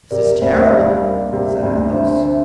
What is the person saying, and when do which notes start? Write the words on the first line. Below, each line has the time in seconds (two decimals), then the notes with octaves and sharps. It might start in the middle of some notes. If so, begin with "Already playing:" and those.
"This is terrible," said Athos.
0.11 C3 A#4 D5
0.41 D2 C5 E5
0.71 G3 D5 F5
1.01 A#3
1.32 C3
1.62 D2
1.93 D3 C5 E5
2.15 C5 E5